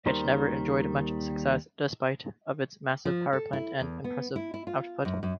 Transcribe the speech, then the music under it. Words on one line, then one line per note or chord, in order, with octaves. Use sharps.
It never enjoyed much success despite of its massive powerplant and impressive output.
D#2 D#3 G3 A#4 C5
F3
A4
E4
E2
B3
E4
E4
F4
F#2
F#2